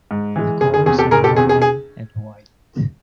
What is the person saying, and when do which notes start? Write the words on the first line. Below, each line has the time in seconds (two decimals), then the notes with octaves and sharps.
The colors are royal and white.
0.11 G#2
0.36 E3 G#3
0.61 F#1 G#4
0.74 G#4
0.86 E2 C3 G#4
0.98 G4 A4
1.11 F#1 G#4 A#4
1.24 G4 A4
1.36 E2 C3 G#4
1.49 G#4
1.62 G#4